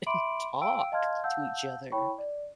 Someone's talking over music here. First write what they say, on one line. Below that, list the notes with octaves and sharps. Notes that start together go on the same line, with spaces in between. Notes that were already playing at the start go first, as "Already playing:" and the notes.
and talk to each other.
E5 B5 C6 D6 D7 F#7
F5 G5 E6 D7
D#5 F5 A5 C6 F6 G#6
F5 F#5 A5 E6 G6
E4 C#5 G5 A5 B5 C#6
D5